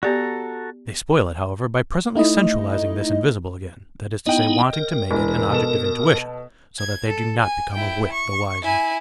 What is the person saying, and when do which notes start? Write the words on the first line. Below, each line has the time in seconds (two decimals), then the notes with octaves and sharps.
They spoil it, however, by presently sensualizing this invisible again; that is to say, wanting to make it an object of intuition, so that they do not become a whit the wiser.
0.03 B3 F#4 G4 A4 D5 A#5
2.16 A3 D#4 E4 D#5
4.26 B3 D#4 E4 D#5 G5
4.73 A#4
5.11 E1 E3
5.50 B2 A4 E7
6.79 G#6
7.08 A4
7.41 G#5
7.73 E4 G5
8.12 C#6
8.63 E4 G#5